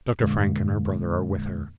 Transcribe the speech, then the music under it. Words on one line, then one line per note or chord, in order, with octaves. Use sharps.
Dr. Frank and her brother are with her.
F2 A#2 D3 G#3 A#3